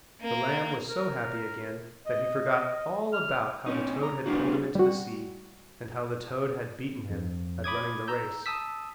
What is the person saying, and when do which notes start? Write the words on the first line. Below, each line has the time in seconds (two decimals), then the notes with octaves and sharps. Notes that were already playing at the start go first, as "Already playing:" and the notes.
The lamb was so happy again that he forgot all about how the toad had pulled him into the sea, and how the toad had beaten him at running the race.
0.21 A#3
0.89 A#4
2.06 D#5
3.13 F6
3.66 C4 C#4 D#4
4.03 A#5
4.26 G3 B3 D4 F#4
4.75 G3 F#4
7.10 F2
7.64 B5 D6 D#6 G#6
8.08 A#5 E6 G6
8.46 A5 D#6 E6 B6